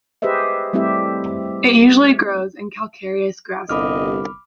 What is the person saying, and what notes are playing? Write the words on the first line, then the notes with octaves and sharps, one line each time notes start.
It usually grows in calcareous grassland.
G4 G#4 B4 C5 D#5 E5
G3 A3 C4 E4 G4 E5
G1 C2 D#5 B5 D6 F6